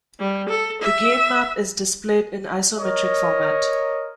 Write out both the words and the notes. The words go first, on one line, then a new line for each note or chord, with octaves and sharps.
The game map is displayed in isometric format.
G3
A4
E5
A#4 C#5 D#5